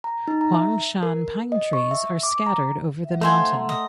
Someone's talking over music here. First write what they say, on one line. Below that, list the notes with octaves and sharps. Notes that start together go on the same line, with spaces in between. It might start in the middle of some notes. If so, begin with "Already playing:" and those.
Huangshan pine trees are scattered over the mountain.
A#5
D#4
A#5
E5
A#4
D#5
C#6
E5
D6
A#5
F#3 E5
A3 D#4 C5 F5 F#5 G#5
F#5 A#5 C6
D#5